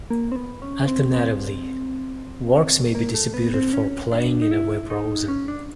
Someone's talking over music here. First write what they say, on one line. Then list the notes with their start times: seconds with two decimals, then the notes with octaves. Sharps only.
Alternatively, works may be distributed for playing in a web browser.
0.10 A#3
0.32 C4
0.36 B3
0.62 C#4
0.88 C4
1.14 C4
2.95 A#3
3.14 A3
3.34 B3
3.54 C4
3.73 C#4
4.12 D4
4.42 D#4
4.51 E4
4.90 D#4
5.28 C#4
5.48 D4